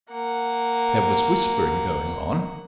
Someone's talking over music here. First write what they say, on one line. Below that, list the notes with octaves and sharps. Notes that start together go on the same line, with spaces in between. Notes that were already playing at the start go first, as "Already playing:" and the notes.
There was whispering going on.
A#3 F#5